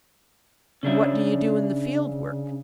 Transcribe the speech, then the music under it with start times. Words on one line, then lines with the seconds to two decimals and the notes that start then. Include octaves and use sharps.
"And what do you do in the Field Work?"
0.83 C#3 C#4 D4 E5